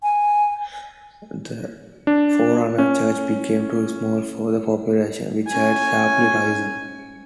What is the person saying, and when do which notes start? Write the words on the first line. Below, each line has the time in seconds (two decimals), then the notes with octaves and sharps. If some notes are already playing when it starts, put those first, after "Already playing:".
The forerunner church became too small for the population, which had sharply risen.
0.03 G#5
2.07 D4
2.78 C#4
5.48 C#4 G#5